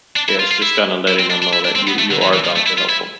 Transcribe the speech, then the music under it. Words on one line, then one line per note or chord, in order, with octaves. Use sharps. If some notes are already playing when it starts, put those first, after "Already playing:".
yeah, it's just kinda letting them know that you you are down to help 'em.
D4
E4
F4
F4
E4
E4
C4
D4
D4
E4
D4
C4
B3
A3
D3
E3
E3
F3
A3
E4
F4
E4